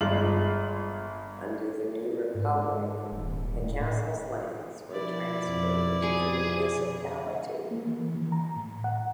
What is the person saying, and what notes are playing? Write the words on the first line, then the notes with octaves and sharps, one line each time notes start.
Under the new Republic, the castle's lands were transferred to the municipality.
G1 G#3 F4 F#7
G#2
D#1
A2
B2 F3 E4 D5
F2
G#4
A#3
E3
E3
A#5
A2
F#5